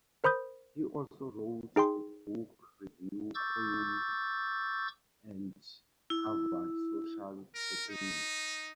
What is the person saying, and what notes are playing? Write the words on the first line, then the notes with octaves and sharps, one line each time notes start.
He also wrote a book review column and covered social happenings.
A#4 C5 B5 D#6 G6
D#4 G#4 G5 C6
C#6 D6 E6 G6 A6
E4
A#4
D#4